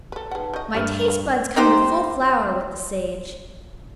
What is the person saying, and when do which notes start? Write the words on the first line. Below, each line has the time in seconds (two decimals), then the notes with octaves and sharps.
My taste buds come to full flower with the Sage.
0.12 A4 B4
0.31 D#4 G#4 B4 F#5 A5
0.54 C#3 D#5 C#6 G6
0.74 G2 G4 A4 C#5 F6 D#7
1.08 B4 F5
1.56 C4 D#4 G4 C5